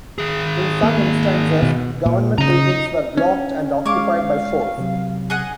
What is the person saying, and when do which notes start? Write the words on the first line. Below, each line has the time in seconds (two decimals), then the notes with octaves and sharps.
In some instances, government buildings were blocked and occupied by force.
0.18 D#3 G#4
0.83 A#3
1.62 B2
2.06 A#2
2.38 C#3 D#5 A#5
3.17 C#4
3.86 G#3 C#5 F5 D6
4.78 C3 F#3
5.30 G#4 D#5 F#5